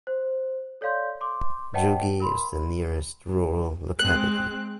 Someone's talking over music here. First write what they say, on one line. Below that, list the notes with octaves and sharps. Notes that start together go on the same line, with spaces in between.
Yugi is the nearest rural locality.
C5
A4 C#5 D5 F5 C6 G6
C6 D6
B4 C#5 D#5 F#5 G5 A5
A#4 B5 C6
G#3 C4 F#6